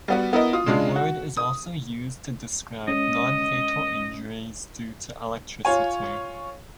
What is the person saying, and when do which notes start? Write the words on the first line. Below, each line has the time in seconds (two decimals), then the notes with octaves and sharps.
The word is also used to describe non-fatal injuries due to electricity.
0.08 G3 B3 F#4
0.33 B3 E4 A#4 D#5
0.53 F4 D#6
0.66 C#3 G#3 D4 F4
0.96 F#4
1.37 D#6
2.88 G#3 C#4 D#5
5.65 F4 C#5 G#5